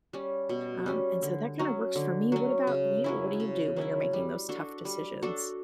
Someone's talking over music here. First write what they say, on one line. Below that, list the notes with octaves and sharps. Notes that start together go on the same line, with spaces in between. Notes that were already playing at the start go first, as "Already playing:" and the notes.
um, and so that kinda works for me. What about you? What do you do when you're making those tough decisions?
G3 C#4
B2
G3 C#4
D3
F#3 C#4
D3
F#3 C#4
C#3
F#3 C#4 E4
C#3
F#3 C#4 E4
G3
D4 F#4 A4
G3
D4 F#4 A4